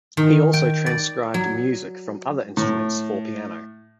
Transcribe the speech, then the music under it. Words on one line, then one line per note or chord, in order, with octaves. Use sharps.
He also transcribed music from other instruments for piano.
D#3
G5
D5
F#3
A2